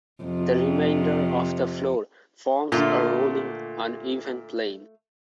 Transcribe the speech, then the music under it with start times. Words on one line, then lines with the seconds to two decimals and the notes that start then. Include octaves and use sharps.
The remainder of the floor forms a rolling, uneven plain.
0.23 F2 C3
2.72 A#2 D3 A3 F4